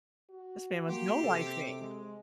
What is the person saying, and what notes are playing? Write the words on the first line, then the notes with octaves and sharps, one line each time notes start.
This man was no lifing.
F#4
A#3 G4 C6 D6
C3 A4 C5
G#3